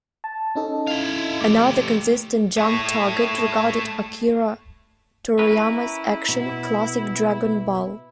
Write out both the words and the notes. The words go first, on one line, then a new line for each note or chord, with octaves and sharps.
Another consistent Jump target regarded Akira Toriyama's action classic "Dragon Ball".
A5
C#4 D#4 A4
E4 F5
A3 G4 D6
A3 C#5
C#4 E4 A#4 B4
B2